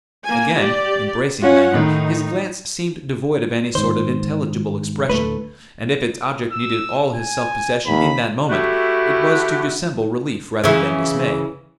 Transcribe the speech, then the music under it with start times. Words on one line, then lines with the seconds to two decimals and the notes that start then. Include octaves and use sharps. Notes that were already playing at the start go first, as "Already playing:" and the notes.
Again, embracing Lanyard, his glance seemed devoid of any sort of intelligible expression; and if its object needed all his self-possession in that moment, it was to dissemble relief rather than dismay.
0.25 A#3 G#5
0.58 G4 D5
1.42 C#4 F4 C#5 F#5
1.74 A2 D#3 D#4
3.75 G#2 D#3 C5
5.10 D2 A2 A3 B4
6.52 E6
7.15 G#5
7.87 D#2 B5
8.50 A3 E4 F#4 G4
10.64 C#3 E3